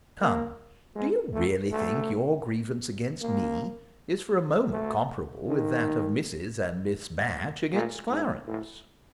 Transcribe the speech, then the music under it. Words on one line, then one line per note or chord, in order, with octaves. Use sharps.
Come, do you really think your grievance against me is for a moment comparable with that of Mrs. and Miss Batch against Clarence?
A#3
G#3
A3
A3
A#3
A3
D#3
A#2
G#2
A2